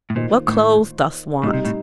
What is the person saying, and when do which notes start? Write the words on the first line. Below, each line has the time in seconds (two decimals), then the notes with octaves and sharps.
What clothes dost want?
0.10 A2
0.16 A#2 D#3 A#3 F4 C5 D#5
0.48 A2
1.43 A2 G3 C4 D#4 G4
1.53 C3
1.65 A2